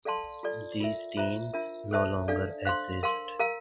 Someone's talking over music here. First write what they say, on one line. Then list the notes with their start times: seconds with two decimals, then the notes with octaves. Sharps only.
These teams no longer exist.
0.05 A4 D5 F5 A5 C6
0.43 F4 A4 D5
0.80 F4 A#4 E5
1.17 F4 C5 E5 A#5
1.53 D4 F4 A#4 E5
1.91 A4 C5 E5 A5
2.28 D4 A4 D5 F5
2.65 C5 F5 C6
3.03 A#4 F5 C6
3.39 A#4 F5 A#5